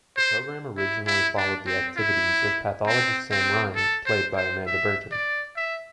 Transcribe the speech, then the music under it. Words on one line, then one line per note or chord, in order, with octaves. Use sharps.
The programme originally followed the activities of pathologist Sam Ryan, played by Amanda Burton.
C5
E4
E4
D4
C4
E4
C4
C4
A4
C5
C5
E5
D5
E5